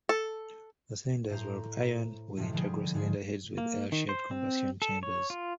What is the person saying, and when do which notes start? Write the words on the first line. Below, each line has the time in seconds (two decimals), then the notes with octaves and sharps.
The cylinders were of iron, with integral cylinder heads with L-shaped combustion chambers.
0.09 A4
1.30 A2 C5 A#5
2.37 A2 C3 F3 G#3
2.53 D3 F3 G3 G#4
2.95 G#2 F3 G#3 G#4
3.58 A#3
3.92 D#3
4.09 C5
4.31 C4
4.82 A4
5.03 C#5
5.30 F4